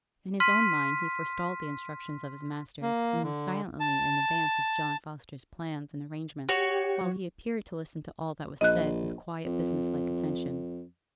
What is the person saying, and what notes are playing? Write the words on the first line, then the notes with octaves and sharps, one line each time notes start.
In his own mind he forestalled the instructions of his masters, and was silently in advance of John Foster's plans and arrangements, while he appeared to listen to all that was said with quiet business-like attention.
C6 F6 B6 D#7
A#3
D3
A5
F#4 G4 C#5
F#3
A#1 D#5 F#6
F2